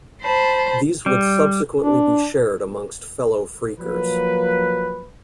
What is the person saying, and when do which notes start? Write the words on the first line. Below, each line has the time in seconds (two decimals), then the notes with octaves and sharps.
These would subsequently be shared amongst fellow phreakers.
0.23 C5 A5 B5
1.06 G3
1.81 D4
3.79 F3 F#3 A#3 B4